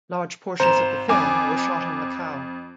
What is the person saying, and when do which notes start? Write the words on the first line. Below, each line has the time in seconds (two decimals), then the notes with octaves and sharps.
Large portions of the film were shot in Macau.
0.60 G#1 C5 A#5 E7
1.09 F2 G#5 D6